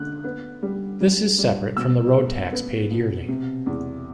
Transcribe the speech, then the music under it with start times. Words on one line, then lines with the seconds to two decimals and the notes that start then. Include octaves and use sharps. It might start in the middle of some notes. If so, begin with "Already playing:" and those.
This is separate from the road tax paid yearly.
Already playing: D3 F#6
0.24 B3
0.63 G3
1.01 G3
1.38 G3
1.77 B2 E6
2.14 B3
2.52 B3
2.91 B2
3.28 C3
3.66 E2